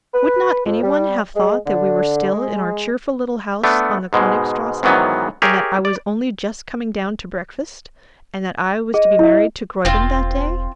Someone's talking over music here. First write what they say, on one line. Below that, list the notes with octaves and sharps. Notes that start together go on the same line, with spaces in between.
Would not any one have thought that we were still in our cheerful little house on the Koenigstrasse and that I was only just coming down to breakfast, and that I was to be married to Graeuben that day?
B4
F2
G3
G#3
D3
G#3
A3 B3 D4
G#2 B2 G#3
G#2 D#3 E3 F#3 B3
G4 G#4 A#4 C#5 E5
D5
G#4 D#5
E4 E5
E1 C4 F4